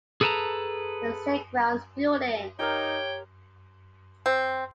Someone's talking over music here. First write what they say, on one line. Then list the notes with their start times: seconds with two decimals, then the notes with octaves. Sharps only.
The Seagram's Building!
0.21 G#4 A4 B4 C#5 A5 A#5
2.59 D#4 G4 A#4 C#5 F5 G5
4.26 C4